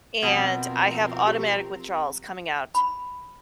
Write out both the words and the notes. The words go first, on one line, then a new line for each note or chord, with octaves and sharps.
and I have automatic withdrawals coming out
B2 F3 C4 A#4
G4
B5